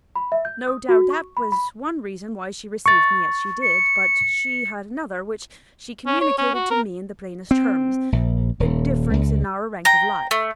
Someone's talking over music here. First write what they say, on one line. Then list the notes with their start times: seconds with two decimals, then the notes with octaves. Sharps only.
"No doubt that was one reason why she received me as she did; but she had another, which she communicated to me in the plainest terms--the difference in our rank of life."
0.16 B5
0.32 E5
0.45 G6
0.67 D#6
0.89 F#4
1.10 C#6
1.37 B5
1.52 B5
2.86 C#6 A6
3.62 C#7
6.07 C#4
6.21 C#5
6.38 C#4
6.54 F#4
6.70 A#4
7.51 C4
8.12 A#1
8.60 D#1
9.13 C#2
9.85 G5 A#5
10.31 A3